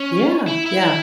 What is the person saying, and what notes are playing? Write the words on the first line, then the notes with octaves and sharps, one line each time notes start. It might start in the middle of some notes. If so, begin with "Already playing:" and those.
Yeah. Yeah.
Already playing: C#4
E4
E4